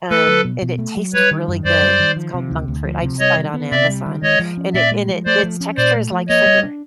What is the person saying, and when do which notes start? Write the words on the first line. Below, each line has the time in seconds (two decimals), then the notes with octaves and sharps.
Um, and it tastes really good. It's called monk fruit; I just buy it on Amazon, and it and it its texture is like sugar.
0.10 A3 A4 B4
0.28 F#3
0.45 B2
0.62 B2
0.79 A3
0.97 F#3
1.13 G3 B4 C#5
1.31 D#3
1.48 F#2
1.65 F#2 C5 D5
1.82 G3
2.00 D#3
2.16 F3
2.34 C3
2.51 D2
2.68 D2
2.85 F3
3.03 C3
3.20 G3 C#5 D#5
3.37 D#3
3.54 B3
3.71 C3 D5 E5
3.89 G3
4.06 D#3
4.22 G#3 C#5 D#5
4.39 F3
4.57 C#4
4.74 A#2 D5 E5
4.91 G#3
5.08 F3
5.26 A3 C5 D5
5.43 F3
5.61 C#4
5.77 A#2 C5 D5
5.95 A3
6.11 F3
6.28 A#3 C#5 D#5
6.46 G3
6.63 D4